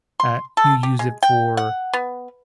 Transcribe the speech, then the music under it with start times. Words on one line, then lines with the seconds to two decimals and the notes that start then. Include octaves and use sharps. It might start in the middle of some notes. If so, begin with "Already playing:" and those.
uh, you use it for
0.20 C6
0.57 A4
0.83 G4
0.99 G#3
1.23 G5
1.57 F#5
1.93 B3